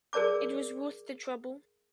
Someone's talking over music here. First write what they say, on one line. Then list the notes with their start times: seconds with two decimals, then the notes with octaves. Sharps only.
It was worth the trouble.
0.13 G#4 A#4 D5 A5 D6